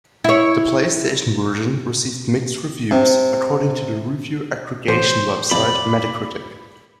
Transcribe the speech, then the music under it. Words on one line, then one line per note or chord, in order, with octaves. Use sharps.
The PlayStation version received "mixed" reviews according to the review aggregation website Metacritic.
E4 C#5
C3
A1 C5
F2 C3 D5 B5